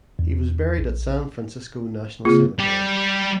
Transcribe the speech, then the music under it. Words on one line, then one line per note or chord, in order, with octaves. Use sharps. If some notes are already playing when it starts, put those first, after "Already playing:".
He was buried at San Francisco National Cemetery.
E2
A#1
C#3 A#3 C4 F4 G#4
G3 G4